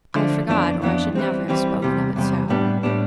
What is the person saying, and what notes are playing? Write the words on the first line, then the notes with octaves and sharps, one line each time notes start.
I forgot, or I should never have spoken of it so.
D3 F3 A3 D4
F2 E3 B3 D4
F2 E3 B3 D4
E3 G3 C4
E3 G3 C4
E2 C3 G3
E2 C3 G3
A2 G3 B3 D4
A2 G3 B3 D4